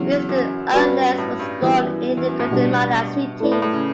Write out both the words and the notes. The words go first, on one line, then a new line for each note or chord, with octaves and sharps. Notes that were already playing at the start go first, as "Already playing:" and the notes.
Mr. Arenales was born in Guatemala City.
Already playing: E2 C#3 F#3 C#4 E4
F#2
G2 G3 C#4 F#4 B4 D5
A2
G2
F#2 E3 G3 B3 E4
E2
F#2
A2
B2 G3 D4
A3 E4 B4 D5
A2
A2
C#3